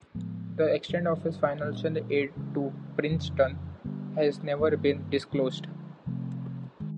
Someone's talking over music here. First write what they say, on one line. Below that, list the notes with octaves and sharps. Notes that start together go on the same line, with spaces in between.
The extent of his financial aid to Princeton has never been disclosed.
A2 F3 G#3 B3
G2 D3 F#3
A#2 G3 B3 D4
C#3 E3 G#3
F2 C#3 E3
D3 G3 B3
G2 D#3 G3 A#3
D3 F3 G#3
C3 F3 A3 C4
D#3 G#3